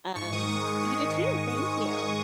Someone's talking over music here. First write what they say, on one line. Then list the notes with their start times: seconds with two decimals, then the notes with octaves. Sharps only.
Um, you too. Thank you.
0.15 G#2 C#6
0.32 D#3 D#6
0.49 G#3 C#6
0.66 G#2 C#6
0.83 G#3 D#6
0.99 D#3
1.16 G#3
1.33 D#3
1.50 G#3 D#6
1.67 D#3
1.83 G#2
2.00 D#3